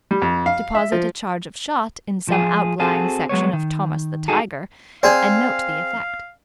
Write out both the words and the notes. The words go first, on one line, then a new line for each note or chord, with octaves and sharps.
Deposit a charge of shot in some outlying section of Thomas the Tiger, and note the effect.
G3
F2
F5
E5
F3
F3 F4 G#4
C4 F#4 G#4 A4
F#3 G#3 B3 C#5
D#3
D#4 F#4 G#4 A4
C4 G#4 D5 F5